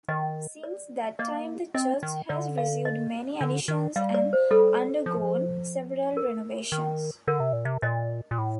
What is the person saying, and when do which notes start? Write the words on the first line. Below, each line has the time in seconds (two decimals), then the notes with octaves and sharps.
Since that time the church has received many additions and undergone several renovations.
0.08 D#3 D#5
0.63 D5
1.19 A#3 D#5
1.74 C4 D#5
2.03 D#3
2.29 D3 D5
2.58 F5
2.85 D#5
3.41 D3
3.68 D#3
3.96 G3 F5
4.14 D5
4.33 C5
4.51 G3 A4
5.06 F3
6.17 A#4
6.72 D#3
7.27 D3 A#4
7.40 C3
7.53 A#2
7.65 C3
7.82 A#2 D#5
8.31 A#2
8.38 A2